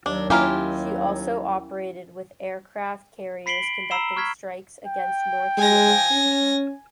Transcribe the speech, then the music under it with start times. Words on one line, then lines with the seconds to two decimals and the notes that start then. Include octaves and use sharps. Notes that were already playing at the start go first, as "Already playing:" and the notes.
She also operated with aircraft carriers conducting strikes against North Vietnam.
0.06 D#2 F#3 D4
0.30 A#3 C#4 E4 F4 G4 G#5 F6
3.46 B5 B6 C7 D7 F#7 G7
3.63 D7
3.91 A#5 B5 E6 C7 E7 G7
4.16 C#6 F6 G#6 B6
4.87 G5
5.58 G#3 G#5 A#6
6.11 C#4